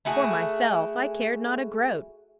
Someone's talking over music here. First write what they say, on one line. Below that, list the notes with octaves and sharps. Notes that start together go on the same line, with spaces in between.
For myself, I cared not a groat.
A3 E4 F#4 G#4